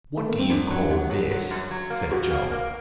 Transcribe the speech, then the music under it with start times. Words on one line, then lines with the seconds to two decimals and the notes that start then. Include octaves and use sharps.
"What do you call this?" said Joe.
0.17 A3
0.28 A#3
0.38 C4
0.50 F#2 D4
0.70 F#3
0.90 F#2
1.10 F#3
1.31 F#3
1.51 F#2
1.71 F#3
1.90 A#3
2.11 F#2 F#4
2.31 A#3
2.51 A#3